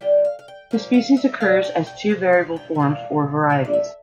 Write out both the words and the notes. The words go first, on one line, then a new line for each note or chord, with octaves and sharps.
The species occurs as two variable forms or varieties.
D3 G3 C4 F4 G5
F5
F5
G5
A#2 F3 A#3 F5
F5
E5
A#2 A3 D4 F5
G5
G5
C3 F3
F5
G5
E5
E3 A#3 D4 F4 F5
E3 A3 D4 F4 E5
D5
E5